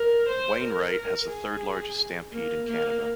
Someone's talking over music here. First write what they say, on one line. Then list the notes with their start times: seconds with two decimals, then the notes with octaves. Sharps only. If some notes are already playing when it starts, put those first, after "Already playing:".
Wainwright has the third-largest stampede in Canada.
Already playing: A#4
0.28 C5
0.62 A#4
1.29 G#4
2.31 A#3
2.66 A#3